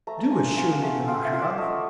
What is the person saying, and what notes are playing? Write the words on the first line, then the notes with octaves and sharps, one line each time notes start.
Do assure me that I have.
A3 A#5
A5
F4 G#5 A#5
F4 F#5 G#5
A3
F4 F5 G5
E5 F#5
F4
D5 E5
A3 C#5 D#5